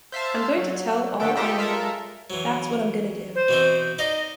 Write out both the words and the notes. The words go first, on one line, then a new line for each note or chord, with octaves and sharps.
I'm going to tell all I know, that's what I'm gonna do.
C5 E5 F5 A5
F#3
D3 A3 B3 A4 G5
F4 G4 A4 D#5 E5 G5
G#3 F4 A4 A#4 E5
E3 F#3
C5
B2 E3 C4
D#4 D5 D#5 F5